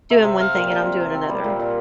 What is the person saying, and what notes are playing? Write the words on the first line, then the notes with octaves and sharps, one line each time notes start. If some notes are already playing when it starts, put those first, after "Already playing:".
doing one thing and I'm doing another.
C3 E5
C3 E5
C4 F5
A#2
A#2
C4
C3
C4
G3
A#2
A#2